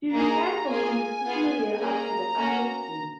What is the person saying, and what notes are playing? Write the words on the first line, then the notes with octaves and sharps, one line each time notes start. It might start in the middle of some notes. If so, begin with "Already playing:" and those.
She retired from competition a year after the Athens Games.
A#3 D#4 G#4 A#5
A#3 F4 G#4 G#5
B3 F4 G#4
A#3 C#4 G#4 A#5
A#3 C#4 F#4